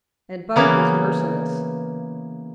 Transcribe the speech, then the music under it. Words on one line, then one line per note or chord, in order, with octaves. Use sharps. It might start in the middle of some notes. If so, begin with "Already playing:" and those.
And Buck was merciless.
C#3 E3 A#3 B3